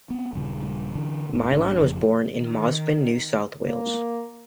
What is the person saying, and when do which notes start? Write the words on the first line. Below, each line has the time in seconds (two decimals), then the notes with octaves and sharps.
Meillon was born in Mosman, New South Wales.
0.10 B3 C4
0.33 D#1 G2 C#3
0.95 D3 E3 D4
1.34 E1 G#2
1.50 A1 G#2 C#4 D4
1.81 F#1 F2 C#3 F3
2.35 D#3
3.66 A#3